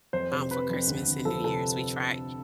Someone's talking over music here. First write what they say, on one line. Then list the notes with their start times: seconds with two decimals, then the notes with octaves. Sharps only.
um, for Christmas and New Year's, we try
0.13 F2 C5
0.32 C3 C5
0.50 C3 B4
0.70 F2
0.88 D2
1.06 D2
1.25 F3 A4
1.44 C3 A4